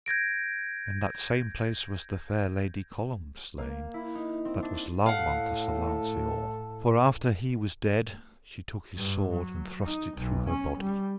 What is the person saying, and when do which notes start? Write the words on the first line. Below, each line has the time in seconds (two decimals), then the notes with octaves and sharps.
And in that same place was the fair lady Colombe slain, that was love unto Sir Lanceor; for after he was dead she took his sword and thrust it through her body.
0.06 G6 G#6 A#6 D7
3.58 A#3
3.94 E4
4.15 D#4
4.45 C4
4.62 D4
5.06 A2 A4 F5 F#5
8.96 G2
9.33 F#3
9.84 D#4
10.18 B1
10.49 C#4
10.80 G3